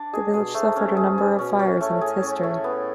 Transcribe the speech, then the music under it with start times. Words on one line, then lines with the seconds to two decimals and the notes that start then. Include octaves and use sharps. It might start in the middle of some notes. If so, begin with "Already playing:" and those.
The village suffered a number of fires in its history.
Already playing: D4 D5
0.13 G#3 G#4
0.28 C#3
0.34 B2 G#4
0.54 G#2 A3
0.76 G#2 C#4
0.97 A2 G#4
1.07 G#2
1.18 G#4
1.39 B2 C#4
1.59 C#4
1.70 A2
1.81 A3
2.01 G#4
2.23 C#4
2.43 A3
2.64 B3